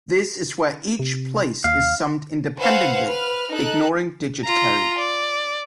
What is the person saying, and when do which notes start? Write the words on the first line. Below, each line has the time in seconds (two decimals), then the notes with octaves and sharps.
This is where each place is summed independently, ignoring digit carry.
0.99 C3
1.64 D#2 F5
2.58 B4 C5 F5 F#5 G#5 E6
3.05 B4 F6
3.51 D#4 A4 F#6
4.44 F4 A#5
4.98 D5